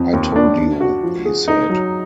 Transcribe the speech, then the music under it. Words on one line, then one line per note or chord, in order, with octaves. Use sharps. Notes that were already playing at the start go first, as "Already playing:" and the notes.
"I told you," he said.
Already playing: F2
D#2
D4
D4
F#4
F3
G#4
D#4
F#3